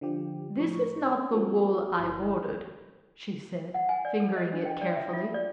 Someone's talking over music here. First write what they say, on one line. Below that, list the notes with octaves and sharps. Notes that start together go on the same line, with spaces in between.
"This is not the wool I ordered," she said, fingering it carefully.
D3 F3 G4
A2 F3 C#6
C4 C#4
F3 G#3 A#3 C4 F#4 A#4
G1 E4
F#5
G#5
D5
A4
D#5
D4
G5
D5
E5
F4
D5